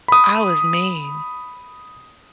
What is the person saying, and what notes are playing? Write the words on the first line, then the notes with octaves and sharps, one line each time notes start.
"I was mean."
B5 D#6